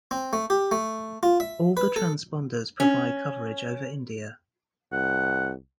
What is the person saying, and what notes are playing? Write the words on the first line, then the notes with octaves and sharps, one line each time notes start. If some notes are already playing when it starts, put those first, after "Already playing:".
All the transponders provide coverage over India.
C4
A3
G4
A3
F4
E5
B4
A4
C#4
C2 F#5